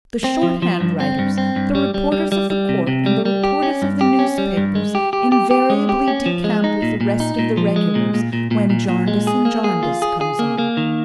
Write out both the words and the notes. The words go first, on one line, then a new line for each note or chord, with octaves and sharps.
The short-hand writers, the reporters of the court, and the reporters of the newspapers invariably decamp with the rest of the regulars when Jarndyce and Jarndyce comes on.
C4
F3
F3
G2
C4
G2
C4
G2
G3
G3
G3
G3
G3
C3
C3
G3
G3
G4
C#4
G2
G4
C#4
G3
G2
G#3
G4
G4
G4
G4
G#3
G4
C#4
F3
G#3
D#4
A#2
A#2
D#4
A#2
F3
G#3
A#2
A#2
A#2
A#2
A#2
A#2
G#3
G#4
A#3
G#4
F4
G#4
G#4
A#3
A#3
D#3